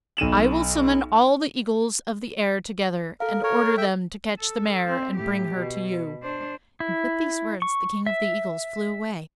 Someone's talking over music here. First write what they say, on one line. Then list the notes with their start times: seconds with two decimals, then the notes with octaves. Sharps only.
I will summon all the eagles of the air together, and order them to catch the mare and bring her to you.' And with these words the King of the Eagles flew away.
0.17 B1 D#7 E7 F#7
3.20 A4 A#4 F5
3.44 A4 A#4 C#5
3.78 E5 G5
4.38 A4
4.85 C4
5.15 A2 G4
5.54 B2
6.22 D4 C5
6.80 E4
7.62 C#6
8.06 E5